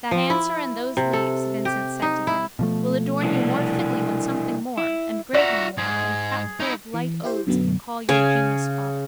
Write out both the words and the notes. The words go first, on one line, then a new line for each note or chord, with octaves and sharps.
That answer and those leaves, Vincent said to him, will adorn you more fitly when something more, and greatly more, than a capful of light odes can call your genius father.
F3
E4
C3
A4
G4
D#4
E4
B2 F3 A3
C2 E3 D4
E4
F4 F#4 D5 E5 F#5 A#5
G#2 G#4
D#4 E4
E3
E4 G4 C5
F#2 B2 D3 F#3 B3
C#3 G#5